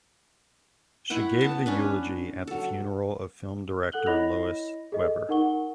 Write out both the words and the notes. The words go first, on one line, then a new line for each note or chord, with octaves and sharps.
She gave the eulogy at the funeral of film director Lois Weber.
E4 C#5 F#5 G5
B3 A5
C#4 D4 B4
F#3 A4
A4 F#5 F#6 F#7 G7
E4 C#5 D#5 B5 A#6 F7
G#4 A4 D#5
D#4 A#4 F#5 C#6 G7